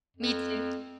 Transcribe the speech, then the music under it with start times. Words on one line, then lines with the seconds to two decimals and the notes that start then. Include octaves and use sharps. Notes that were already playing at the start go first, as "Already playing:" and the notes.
Me too.
0.17 F2